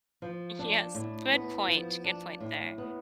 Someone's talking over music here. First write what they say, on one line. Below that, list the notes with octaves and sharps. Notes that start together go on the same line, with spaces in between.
Yes. Good point. Good point there.
F3
D4
A2
B3
F3
D4
A2
B3